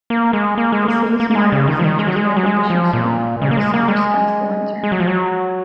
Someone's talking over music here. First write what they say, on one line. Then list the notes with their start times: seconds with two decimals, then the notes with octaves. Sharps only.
The city's motto is nature's air conditioned city, where the summer spends the winter.
0.10 A#3
0.33 G#3
0.58 A#3
0.72 G#3
0.88 A#3
1.20 A#3
1.31 A#3
1.35 G#3
1.52 C#3
1.68 D#3
1.79 F3
1.84 D#3
1.99 G#3
2.07 F#3
2.16 G#3
2.37 F#3
2.46 G#3
2.70 F3
2.93 A#2
3.42 C#3
3.51 A#3
3.57 G#3
3.74 A#3
3.88 G#3
4.84 G#3
4.92 F#3
5.00 F3
5.07 F#3